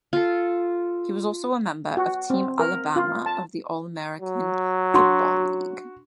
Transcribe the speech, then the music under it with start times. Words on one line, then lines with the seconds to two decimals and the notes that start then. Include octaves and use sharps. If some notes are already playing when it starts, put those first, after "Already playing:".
He was also a member of Team Alabama of the All American Football League.
0.13 F4 A4
1.97 F#4
2.30 C4
2.59 A#4
2.96 F4
3.26 A5
4.22 F#3
4.94 D4 F#4 C6